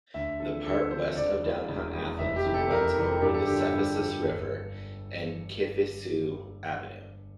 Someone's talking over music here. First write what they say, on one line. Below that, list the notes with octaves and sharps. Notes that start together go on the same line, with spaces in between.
The part west of downtown Athens runs over the Cephisus river and Kifissou Avenue.
D2 E5
D3 F3 C4 A4
D2 A4
D3 F3 C4 C5
E1 D5
E2 E3
E1
E2
E3
F1 E5
G4
F2 C3 E3
A4
F1 A#4
F2 C3 E3
G2 G4
A4
D3 F3 G4
A4
G2
D3 F3
G1